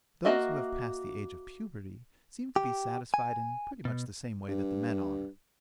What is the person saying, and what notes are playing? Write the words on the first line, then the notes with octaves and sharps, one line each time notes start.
Those who have passed the age of puberty seem to be satisfied in pretty much the same way that the men are.
A#3 F#4 D#5 E5
G4
G#5
B2
G2